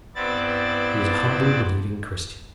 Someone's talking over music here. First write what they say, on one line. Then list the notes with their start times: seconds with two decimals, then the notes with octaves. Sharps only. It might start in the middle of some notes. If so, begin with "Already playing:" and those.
She was a humble, believing Christian.
0.15 G2 B3 C4 E4 D5 A6